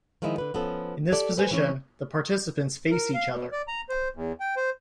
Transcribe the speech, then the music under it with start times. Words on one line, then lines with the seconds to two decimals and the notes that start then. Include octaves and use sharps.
In this position, the participants face each other.
0.22 D#3 F3 G#3 D#4 E4
0.38 D3 B4
0.54 F3 B3 C#4 A4
1.12 G4 A4 D5
1.37 B4 C5 G#5
1.51 E3 A3 C#4 E4
2.91 A#4
3.14 F5
3.30 B2
3.52 D5
3.68 A#5
3.89 C5
4.15 E2
4.40 G5
4.57 C5